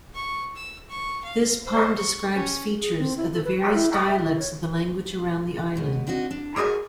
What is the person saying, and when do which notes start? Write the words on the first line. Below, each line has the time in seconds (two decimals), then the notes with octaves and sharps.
This poem describes features of the various dialects of the language around the Island.
0.15 C#6
0.56 E6
0.89 C#6
1.24 F5
1.64 C5
1.97 C#6
2.34 C#4
2.77 G#4
2.99 C4
3.17 E4
3.33 A4
3.44 B4
3.58 G5
3.74 E4
3.92 G5
4.07 E5
4.20 E4
4.39 C#5
5.75 D#2 B2 G#3
6.07 C4 D4 D#4 F#4 D#5
6.31 D4
6.56 F#4 G#4 A#4 F5 G#5